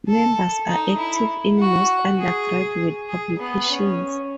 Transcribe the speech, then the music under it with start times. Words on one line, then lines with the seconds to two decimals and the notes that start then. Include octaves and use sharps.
Members are active in most undergraduate publications.
0.08 A4
0.68 D#4
0.98 E4
1.58 F#4
2.19 G#4
3.09 G#4
3.39 B3
3.68 C#4